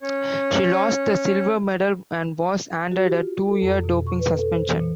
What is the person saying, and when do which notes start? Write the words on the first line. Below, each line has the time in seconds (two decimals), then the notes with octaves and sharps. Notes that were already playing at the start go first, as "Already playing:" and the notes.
She lost the silver medal and was handed a two-year doping suspension.
0.01 C#4 C#5
2.92 F#4
3.04 G4
3.18 F4
3.48 A4
3.62 F2
3.84 B2
4.07 C#6
4.19 B4
4.37 A4
4.52 C5
4.68 E3
4.80 A#2